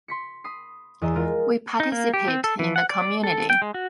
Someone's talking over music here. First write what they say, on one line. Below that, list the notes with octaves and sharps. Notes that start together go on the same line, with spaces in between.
We participate in the community.
C6 B6 C#7
B5 D#6 C7
E2 D#5 A#5 E6
G#3 F4 A#4
D#4
A#3
G4
C4
A4
E3
F#5
D5
A4
G5
G#3
F#4